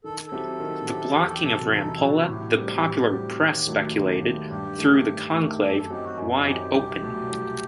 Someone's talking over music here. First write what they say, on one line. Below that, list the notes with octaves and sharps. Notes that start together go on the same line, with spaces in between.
The blocking of Rampolla, the popular press speculated, threw the conclave wide open.
D#3 A4
A4
F#3 C4 E4 G4
D#3
F#3 C4 E4 G4
E2 G4
A4
G4
C3 F#3 A4
E2 A4
D#4
E4
C3 F#3 F#4
A2 G4
G3 C4 F#4
A2
G3 C4 F#4
D#2
D#3 F#3 A3
D#2
D#3 F#3 A3
G2 G4
D#3 A3
G2
D#3 A3
F#2 A4
G4
A4
F#3 C4 D#4 G4
F#4
F#2
F#3 C4 D#4 G4
C2 G4
B2 F#3 A3
C2